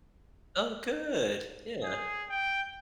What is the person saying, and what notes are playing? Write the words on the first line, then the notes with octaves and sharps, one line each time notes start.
Oh, good. Yeah.
G#4
G5